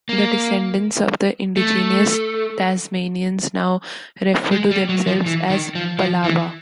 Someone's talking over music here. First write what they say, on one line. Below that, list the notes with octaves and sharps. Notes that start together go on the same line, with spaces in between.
The descendants of the indigenous Tasmanians now refer to themselves as 'Palawa'.
A#3
A3
G#3
G3
F#3
F3
E3
D#3
F3
F3
E3